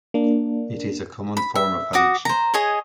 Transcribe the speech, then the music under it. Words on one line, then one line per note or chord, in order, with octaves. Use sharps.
It is a common form of addiction.
A#3 D4
B5
E5
F#4 D6 D#6
C5 A#5
G#4 C#5 D#5